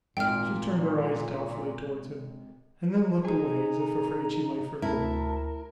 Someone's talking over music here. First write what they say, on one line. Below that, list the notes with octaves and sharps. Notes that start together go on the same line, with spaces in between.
She turned her eyes doubtfully towards him, and then looked away as if afraid she might forgive him.
G#1 A#2 G5 F6
D#4 G#4 A#5
D2 E4 A#4 A5